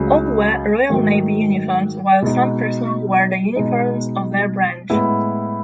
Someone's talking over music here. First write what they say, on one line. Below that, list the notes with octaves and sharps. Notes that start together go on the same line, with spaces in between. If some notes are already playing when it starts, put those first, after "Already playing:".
All wear Royal Navy uniforms while some personnel wear the uniforms of their branch.
Already playing: C#2 C#3 F#3 A3
G#2 D#3 F#3 A3
B2 G#3 D#4
B2 G#3 D#4
A2 G#3 B3 E4